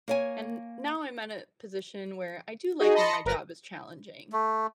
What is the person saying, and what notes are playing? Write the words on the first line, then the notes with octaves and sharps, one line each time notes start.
And now I'm at a position where I do like when my job is challenging,
A#3 C#5 G#5
D#4 F#4 G#4
D#5 A5 B5 C6 A#6 C#7
G1 A#4 B4 A#6
A3